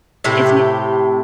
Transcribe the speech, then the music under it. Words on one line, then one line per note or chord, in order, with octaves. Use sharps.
If you
A2 C3 G4